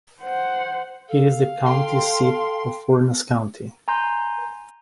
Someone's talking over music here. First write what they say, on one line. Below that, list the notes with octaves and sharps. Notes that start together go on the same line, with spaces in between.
It is the county seat of Furnas County.
C5 F#5
A4 F5
A4 G5 C6
G#5 A#5 C6 G6